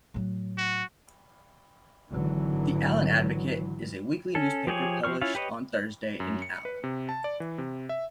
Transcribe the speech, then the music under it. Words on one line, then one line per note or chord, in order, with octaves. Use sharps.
The "Allen Advocate" is a weekly newspaper published on Thursday in Allen.
A2 F#3
F#4
G#1 D3 E3 F#3
C#4 A4
F3 G4 G#4 C#5
F3 C4 C#6 F6
C#4 E4 F4 C#5 F5
G4 B4 C#5 D#5
F#2
C#7
B4
C3
A5
D5
E3
C3
E5